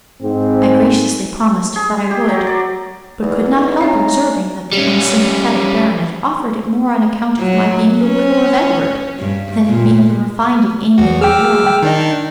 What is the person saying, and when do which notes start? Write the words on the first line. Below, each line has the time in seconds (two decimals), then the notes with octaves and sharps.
I graciously promised that I would, but could not help observing that the unsimpathetic Baronet offered it more on account of my being the Widow of Edward than in being the refined and amiable Laura.
0.23 G#2 C4
1.76 G#4
2.11 G4
2.28 F#3
2.47 D5
3.22 E2 D#4
3.81 C4 C#4 E5 F5 A#5
4.73 G3 C#4
7.38 F#3
8.00 C#4
9.19 G2
9.67 A#2
10.98 E2 F#4
11.21 G#4 G5 D6 E6 F6
11.66 G5
11.82 D#3 D4 D#4